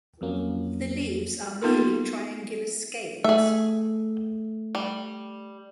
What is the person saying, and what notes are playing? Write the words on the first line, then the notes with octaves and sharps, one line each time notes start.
The leaves are merely triangular scales.
F2 F#3 A#3 C#4
A#3 B3 D#4 F4 A4 A#4
A3 G#4 E5
G3